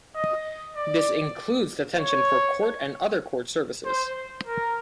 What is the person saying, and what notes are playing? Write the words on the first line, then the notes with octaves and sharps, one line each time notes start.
This includes detention for court and other court services.
D#5
D5
C#5
C5
A#4